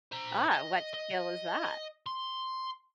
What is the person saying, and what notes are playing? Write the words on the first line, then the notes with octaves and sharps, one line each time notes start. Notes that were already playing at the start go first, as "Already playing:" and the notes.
Ah, what skill is that?
C5 A#5
D#5
D#5
C6